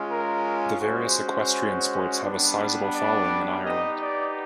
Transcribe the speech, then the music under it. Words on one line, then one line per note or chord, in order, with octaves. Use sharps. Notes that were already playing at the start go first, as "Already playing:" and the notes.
The various equestrian sports have a sizeable following in Ireland.
Already playing: G#3 C#4 F4
A#4
G#3 C#4 F#4 C5
G3 B3 D4
D5
B3 D#4 G4 D#5
D5